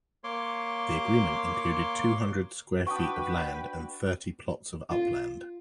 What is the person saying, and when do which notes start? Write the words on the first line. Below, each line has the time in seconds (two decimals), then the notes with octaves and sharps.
The agreement included two-hundred square feet of land and thirty plots of upland.
0.24 A#3 C#5 C6 D6
2.87 D4 F#4 B4 G5 C#6 D#6
4.91 F4